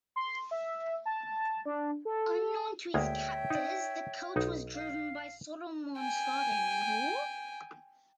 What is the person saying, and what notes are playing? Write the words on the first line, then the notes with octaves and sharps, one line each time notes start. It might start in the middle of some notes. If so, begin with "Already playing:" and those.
Unknown to his captors, the coach was driven by Solomon's father-in-law.
C6
E5
A5
D4
A4
D2 G#3 A#3 C#5 E5 G5
D#4 D5
B1 D#4
F5
G5 G#5